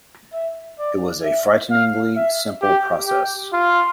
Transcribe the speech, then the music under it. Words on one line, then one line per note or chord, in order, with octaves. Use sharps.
It was a frighteningly simple process.
E5
D5
E5
F5
E5
G4
G4
F4